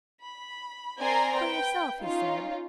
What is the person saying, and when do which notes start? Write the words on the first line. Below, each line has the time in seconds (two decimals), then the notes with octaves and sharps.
'For yourself,' he said.
0.25 B5
1.00 C4 A#4 D5 G#5 A#5 C6
1.36 B4 G5
2.02 C#4 D#4 F4